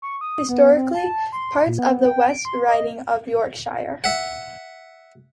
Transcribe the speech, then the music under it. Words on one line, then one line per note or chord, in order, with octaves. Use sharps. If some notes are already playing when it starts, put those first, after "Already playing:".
Historically part of the West Riding of Yorkshire.
C#6
D#6
B3
C4
A5
C6
A#2
B3
G5
D7
C6
D#5
E5 F#5